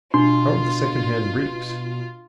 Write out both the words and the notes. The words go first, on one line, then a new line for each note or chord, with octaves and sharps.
How are the secondhand breeks?
B2 D4 F4 C6